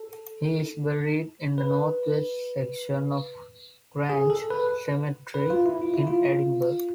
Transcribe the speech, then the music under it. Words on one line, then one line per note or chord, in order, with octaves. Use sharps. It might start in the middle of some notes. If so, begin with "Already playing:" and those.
He is buried in the north-west section of Grange Cemetery in Edinburgh.
Already playing: A4
B4
G#4
A4
B4
B4
F4
E4
F4
E4
F4